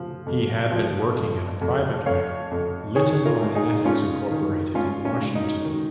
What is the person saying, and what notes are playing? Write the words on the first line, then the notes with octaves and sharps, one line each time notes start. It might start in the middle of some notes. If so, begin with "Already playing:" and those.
He had been working at a private lab, Litton Bionetics Incorporated in Washington.
Already playing: F3
F2
F3
F2
F2
F2 C#5 F5
F2
D#3 G#4 C#5
F4 A#4
G#2
D#4 G#4
G#2 C#4 F4
D#3
G#2 C#4 F4
C#4
G#2
D#4
D#3